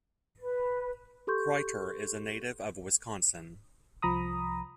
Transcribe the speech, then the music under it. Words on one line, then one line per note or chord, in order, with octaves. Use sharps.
Kreiter is a native of Wisconsin.
B4
G4 A4 C6 C#6 G6
C2 F3 A#5 B5 D#6